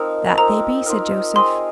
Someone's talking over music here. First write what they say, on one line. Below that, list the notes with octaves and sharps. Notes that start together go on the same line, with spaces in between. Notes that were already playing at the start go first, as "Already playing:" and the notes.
"That they be," said Joseph.
Already playing: F3 C4 D#4 A#4
F3 C4 D#4 A#4 A#5
F3 C4 D#4 A#4
C4 G#4 D#5 C6